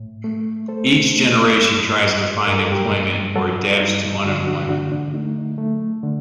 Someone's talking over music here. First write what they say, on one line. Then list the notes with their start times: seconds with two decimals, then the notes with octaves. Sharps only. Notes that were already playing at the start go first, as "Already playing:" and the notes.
Each generation tries to find employment or adapts to unemployment.
Already playing: A2
0.24 A3
0.68 A3 A4 C5
1.13 A3
1.58 G2
2.02 G2
2.47 G2 A#4
2.59 A4
2.71 G4 A#4
2.92 G2
3.36 F#3 F#4 A4
3.80 G2 D#4
4.25 D3 D4 F#4
4.47 D4 F#4
4.69 D3 D4 F#4
4.92 D4
5.14 A3 D#4
5.58 A3
6.03 D3